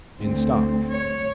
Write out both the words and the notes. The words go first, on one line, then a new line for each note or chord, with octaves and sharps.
"In stock?"
D2 C4
C#5